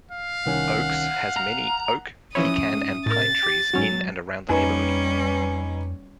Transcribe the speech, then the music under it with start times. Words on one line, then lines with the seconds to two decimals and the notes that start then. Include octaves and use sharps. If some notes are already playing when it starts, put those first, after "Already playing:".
Oaks has many oak, pecan, and pine trees in and around the neighborhood.
0.11 F5
0.46 C2 D#3 C#4 F#5
1.37 A#5 F6
2.35 E3 F3 C#4 C#5 E5 B5 D#6
2.73 G#2
3.06 A2 A#4 A6
3.43 G4
3.73 G#2 F#3 C#4 F#4 C#5
4.49 F2 G3 A#3 C#4 D#4 B4 G#5